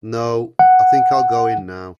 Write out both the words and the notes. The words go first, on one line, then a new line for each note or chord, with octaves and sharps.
No, I think I'll go in now.
F#5